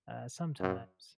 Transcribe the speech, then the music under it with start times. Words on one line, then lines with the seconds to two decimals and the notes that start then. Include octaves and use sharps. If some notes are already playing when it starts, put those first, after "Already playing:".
uh, sometimes.
0.61 F#2